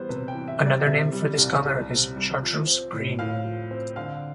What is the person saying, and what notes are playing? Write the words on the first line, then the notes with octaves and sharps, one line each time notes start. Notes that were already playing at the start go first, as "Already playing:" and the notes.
Another name for this color is chartreuse green.
Already playing: E3 G3 B3 C5
C3 B4
G5
E3
E5
G3
D5
C3 E5
G3
C2
C2
C3
G3
F3
C4
A2
A2 F5
F3
C4
D3 F5